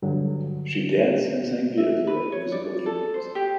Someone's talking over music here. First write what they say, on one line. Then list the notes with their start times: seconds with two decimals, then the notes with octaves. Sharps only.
She danced and sang beautifully at musical evenings.
0.02 G2 D3 F#3
1.77 E5
2.07 B4
2.32 C#5
2.52 D5
2.86 A4
3.14 C5
3.35 G4